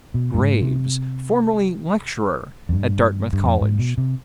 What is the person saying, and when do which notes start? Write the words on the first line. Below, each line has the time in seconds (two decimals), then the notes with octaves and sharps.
Graves, formerly lecturer at Dartmouth College.
0.14 B2
0.34 G2
0.38 G#2
0.62 C3
2.69 F2
2.73 G2
3.33 G2
3.45 F2
3.61 G#2
3.79 B2
3.98 C3